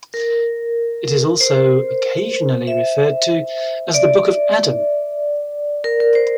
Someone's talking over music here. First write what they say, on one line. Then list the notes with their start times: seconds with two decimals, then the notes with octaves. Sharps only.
It is also occasionally referred to as The Book of Adam.
0.14 A#4
1.41 C5
2.67 E5
3.94 D5
5.84 A#4
6.00 A#4
6.15 C5